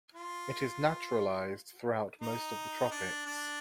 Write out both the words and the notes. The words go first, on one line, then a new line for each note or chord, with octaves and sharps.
It is naturalized throughout most of the tropics.
F4
D#4
D4
D4